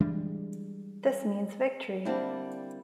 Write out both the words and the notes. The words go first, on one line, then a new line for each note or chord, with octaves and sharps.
This means victory.
E3 G3 G#3 D4
D3 G3 A#3 C4 D4 E4